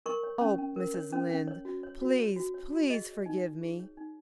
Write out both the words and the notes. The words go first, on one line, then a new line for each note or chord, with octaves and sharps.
Oh, Mrs. Lynde, please, please, forgive me.
A#4 C#6
C#5
C#4
C#4
A#4
C#5
C#4
C#4
C#5
F#4
C#5
F#4
C#5
F#4
C#5
F#4
G#4 D#5
C#5
D#4
D#4
G#4
C#5
D#4